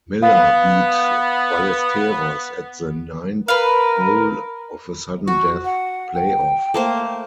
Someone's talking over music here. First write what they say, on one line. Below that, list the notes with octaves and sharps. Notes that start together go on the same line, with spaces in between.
Miller beat Ballesteros at the ninth hole of a sudden-death playoff.
B3 F5
A#4 B4 F5
F#4 C#6
F#5
G5
A3 A#3 C5